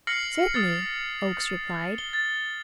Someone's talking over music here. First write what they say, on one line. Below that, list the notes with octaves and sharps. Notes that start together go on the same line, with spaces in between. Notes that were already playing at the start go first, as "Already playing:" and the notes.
"Certainly," Oakes replied.
F6 A#6 C7 C#7 F#7
D#6 F6 A6
G7
A6